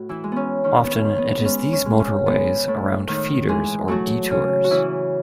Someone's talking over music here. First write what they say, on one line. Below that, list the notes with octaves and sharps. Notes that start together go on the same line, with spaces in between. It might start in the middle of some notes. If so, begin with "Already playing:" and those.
Often it is these motorways around feeders or detours.
Already playing: A2 F#4
E3 E4
G#3
B3 C#4
D#3 C#4
B3
C#4
D#3
B3
B3
G#3 C#4
C#4
G#3
C#4
G#3 B3
A2
A2 D#3 D#4
E3 G#3 G#4
F#3 A3 F#4
C#3
F#4
C#3 E3 E4